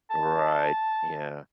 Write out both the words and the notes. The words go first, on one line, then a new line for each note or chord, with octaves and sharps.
Right, yeah.
A5